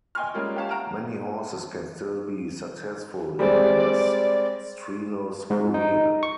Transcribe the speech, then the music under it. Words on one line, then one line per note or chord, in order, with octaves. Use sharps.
Many horses can still be successful in a less-strenuous career.
D#5 G5 G#5 C6 C#6 F6
G3 G#3 A#3 C#4 F4
G4 C#5 F5 A5 C#6
F#5 A#5 F6 D7 E7
G3 G#3 C4 D5
G#2
D#4
C#6